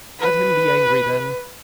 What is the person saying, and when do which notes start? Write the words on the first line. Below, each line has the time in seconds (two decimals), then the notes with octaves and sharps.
Let him be angry then.
0.20 B4